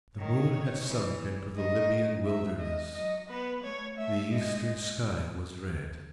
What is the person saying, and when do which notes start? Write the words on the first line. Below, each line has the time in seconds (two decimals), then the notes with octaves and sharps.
The moon had sunk into the Libyan wilderness; the eastern sky was red.
0.18 D#3 C#5
0.87 E3
1.55 D#3 D#5
2.25 G#2 E5
2.60 D#5
2.93 F#3 D#5
3.29 B3 B4
3.63 A3 C#5
3.97 A3 E5
4.32 G#3 D#5